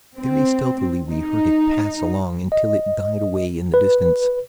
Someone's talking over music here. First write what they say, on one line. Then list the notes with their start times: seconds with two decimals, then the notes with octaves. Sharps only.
Very stealthily we heard it pass along until it died away in the distance.
0.18 C4
1.09 D#4
2.52 D#5
3.74 B4